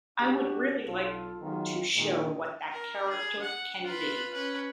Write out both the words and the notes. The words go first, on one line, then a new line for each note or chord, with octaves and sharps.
I would really like to show what that character can be.
E2 D4 F#4 G4
B1 F4 A4
D#3 F#3 G#3 B3 D#4 F4
A#2 D#3 G#3
A#4
G#4
F#5
F4 B4
C#4 B4